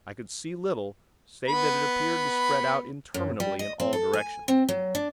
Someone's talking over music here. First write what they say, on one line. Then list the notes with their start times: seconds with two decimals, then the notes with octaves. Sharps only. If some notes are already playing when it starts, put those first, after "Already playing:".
I could see little, save that it appeared to spread out interminably in all directions.
1.48 B3 B5
3.14 F#2
3.40 G3
3.59 D#5
3.80 C4
3.93 A4
4.13 G#5
4.48 C4
4.69 F#3
4.95 D4